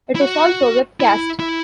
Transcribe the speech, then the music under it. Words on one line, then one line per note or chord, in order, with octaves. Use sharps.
It is also webcast.
E4
F#4
E4
E4